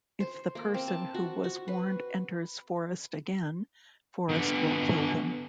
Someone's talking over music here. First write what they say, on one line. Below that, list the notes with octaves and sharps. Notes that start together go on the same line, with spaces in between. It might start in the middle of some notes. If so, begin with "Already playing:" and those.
If the person who was warned enters Forest again, Forest will kill them.
C5
A#3
C4
A5
F#4
F#4
B4
D3 B3